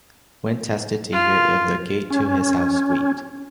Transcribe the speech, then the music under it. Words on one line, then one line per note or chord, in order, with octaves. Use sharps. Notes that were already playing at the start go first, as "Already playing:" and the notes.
Quinn tested to hear if the gate to his house squeaked.
F4
C#4